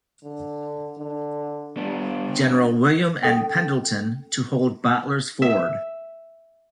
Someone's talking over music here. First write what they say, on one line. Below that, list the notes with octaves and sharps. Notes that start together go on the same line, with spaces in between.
General William N. Pendleton, to hold Boteler's Ford.
D3
D3
G3 B3 D4
C#4 A4 G5
E5